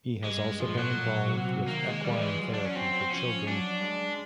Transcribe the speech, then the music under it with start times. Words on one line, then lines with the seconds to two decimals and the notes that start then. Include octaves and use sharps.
He has also been involved with equine therapy for children.
0.24 G2 G#3
0.60 A2 F3
0.78 F#3
0.96 A#2
1.31 C3
1.67 D#3 A#3
1.86 G#3
2.03 E3 G3
2.22 G#3
2.39 F#3
2.54 D4
2.65 C#4
2.76 C4
3.12 F3 C#4
3.48 F#3 D4
3.83 G#3